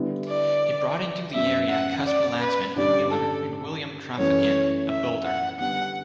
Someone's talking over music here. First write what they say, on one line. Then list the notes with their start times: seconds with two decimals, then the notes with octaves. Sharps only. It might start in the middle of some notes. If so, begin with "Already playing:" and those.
He brought into the area Casper Landsman, a miller, and William Traphagen, a builder.
Already playing: D3 G3 B3 E4
0.28 D5
1.34 F#2 C#3 F#3 B3 E5
1.70 F#5
2.06 D5
2.40 B4
2.76 G2 D3 G3 C#4 D5
3.12 A4
4.18 F#2 E3 A3 C#4 C#5
4.89 E5
5.24 F#5
5.60 D3 G3 B3 F#5